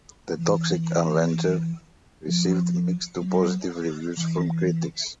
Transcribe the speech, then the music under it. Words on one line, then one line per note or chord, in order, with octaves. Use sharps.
"The Toxic Avenger" received mixed to positive reviews from critics.
E3
F3
F#3
E3